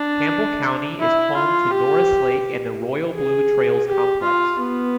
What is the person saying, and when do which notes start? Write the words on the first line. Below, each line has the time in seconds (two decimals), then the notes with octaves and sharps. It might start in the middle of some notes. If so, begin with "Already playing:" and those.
Campbell County is home to Norris Lake and the Royal Blue Trails Complex.
Already playing: D4
1.00 E4
1.36 F4
1.71 G4
3.15 G#4
3.87 G4
4.23 F4
4.59 B3